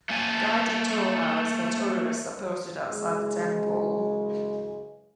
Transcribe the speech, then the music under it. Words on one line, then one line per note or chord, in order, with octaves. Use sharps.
Guided tour hours for tourists are posted outside the temple.
A3 A#3 G#5 A5
F#2 C#3 E3 G#3